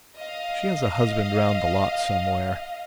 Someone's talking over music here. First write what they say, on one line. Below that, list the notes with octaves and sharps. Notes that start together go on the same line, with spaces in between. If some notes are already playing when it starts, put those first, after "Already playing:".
She has a husband round the lot somewhere.
D#5 F5